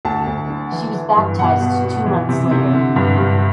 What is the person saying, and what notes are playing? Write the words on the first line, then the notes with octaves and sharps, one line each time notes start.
She was baptized two months later.
D2 A5
D2
D3
E3
E3
G2
B2 F#5
B2
B2
E3
C3
C3
D3
G2
G2